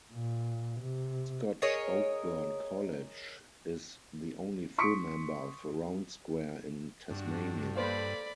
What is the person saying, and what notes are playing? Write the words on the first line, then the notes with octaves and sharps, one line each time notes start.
Scotch Oakburn College is the only full member of Round Square in Tasmania.
A#2
C3
G#4 A#4 C#5 D#5
C6 C#6 D#6 B6 C#7 D7
G2 D4 F#4
A#3 A4 B4 C5 D5 F5 B5